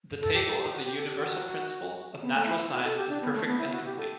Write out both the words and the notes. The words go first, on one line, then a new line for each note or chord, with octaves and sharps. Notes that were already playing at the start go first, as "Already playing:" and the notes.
The table of the Universal Principles of Natural Science is perfect and complete.
A4
G4
A4
G4
F#4
G4
A4
G4
F#4
B3
A3
E4
F#4
A4
G4
D4
B3
A3
B3
E4
F#4
G4
A4